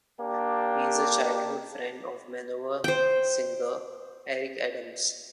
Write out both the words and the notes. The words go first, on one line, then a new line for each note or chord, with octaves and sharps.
He is a childhood friend of Manowar singer Eric Adams.
A#3 D4 G4
C5 G5